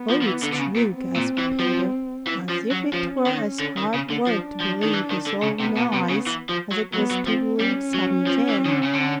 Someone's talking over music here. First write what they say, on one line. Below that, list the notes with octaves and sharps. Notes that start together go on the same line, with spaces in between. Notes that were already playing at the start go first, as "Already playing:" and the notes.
"Oh, it's true!" gasped Peter, as if it were as hard work to believe his own eyes as it was to believe Sammy Jay.
Already playing: B3
F3
F3
E3
D3
D3
C#3
A#2
C4
A#2
E3
F3
E3 C#4
F3
F#3
F3
D#3
D3
D#3
C#3
D3
F3 D4
F3
D#3
E3
D#3
D3
C#3
C3 B3
B2
C3
C#3
E3
F3
F#3
F#3 B3
F#3
F3 C4
G3 C#4
F#3
F3
E3
D#3
D3
C#3
D3